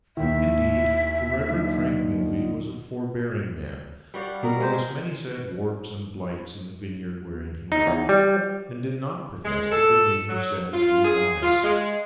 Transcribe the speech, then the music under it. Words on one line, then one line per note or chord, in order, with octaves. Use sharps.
Indeed, the Reverend Frank Milvey was a forbearing man, who noticed many sad warps and blights in the vineyard wherein he worked, and did not profess that they made him savagely wise.
D#2 D#3 E4 E5
D3 F#3 D#4
G3 F#4 D5 F5
B2 A#4
G#3 G4 C5
D#4
E2
G3
G#3
A4
F#3
F4
G#4
F4
G#3